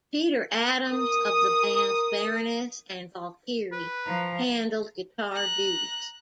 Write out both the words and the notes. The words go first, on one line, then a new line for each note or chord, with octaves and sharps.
Peter Adams of the bands Baroness and Valkyrie handled guitar duties.
A#4 D#6
B4
F3 A#5
A#5 F#6